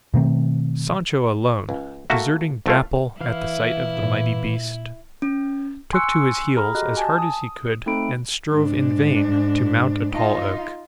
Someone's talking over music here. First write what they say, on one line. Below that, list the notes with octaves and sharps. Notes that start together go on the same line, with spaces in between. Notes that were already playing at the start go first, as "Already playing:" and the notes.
Sancho alone, deserting Dapple at the sight of the mighty beast, took to his heels as hard as he could and strove in vain to mount a tall oak.
B2 D#3 A3 C4
C#2
A3 A#3 F#4 E5
C2 A3 F4
E3 E4 F5
A#2
C#4
G#5 C6 C#6 E6 F#6 C#7
G#4 A4 A#5 B5 F6
F#4 G4 D#5 F#6
G#5 A5
D#6
A3 C4 D#4 A4 B5 D7
G#2 D4
D#4 F4